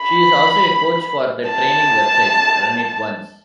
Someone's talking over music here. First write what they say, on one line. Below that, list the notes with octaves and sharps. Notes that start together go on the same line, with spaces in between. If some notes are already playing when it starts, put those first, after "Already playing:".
She is also a coach for the training website, Run It Once.
Already playing: B5
A5